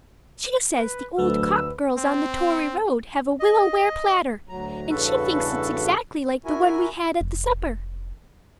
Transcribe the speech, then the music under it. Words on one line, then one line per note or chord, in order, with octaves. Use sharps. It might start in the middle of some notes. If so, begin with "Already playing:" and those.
She says the old Copp girls on the Tory Road have a willow-ware platter and she thinks it's exactly like the one we had at the supper.
B4
D2 F#3 A3 A4 B4 E6
C4
D#5
D2 F#3 A#5
E2 G2 C#3 F#4 A4 B4
E4 F#4 A#4 G#5
F1